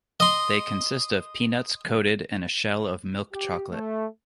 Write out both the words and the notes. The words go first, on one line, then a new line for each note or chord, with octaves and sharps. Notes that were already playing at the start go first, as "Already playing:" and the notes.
They consist of peanuts coated in a shell of milk chocolate.
D#5 C6
G4
A3